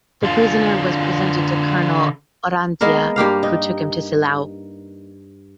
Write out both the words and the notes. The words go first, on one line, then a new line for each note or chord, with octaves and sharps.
The prisoner was presented to Colonel Orrantia who took him to Silao.
D3 F4
G#3 A#3 B3 A#4
G2 A#3 G4 F5
D#4